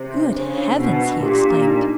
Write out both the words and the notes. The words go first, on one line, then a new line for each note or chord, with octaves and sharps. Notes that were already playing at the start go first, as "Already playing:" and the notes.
"Good heavens!" he exclaimed.
Already playing: C3 C5
D4
C#3 C5
D4
B2 D4
D4
A#2 G4
D4
D#4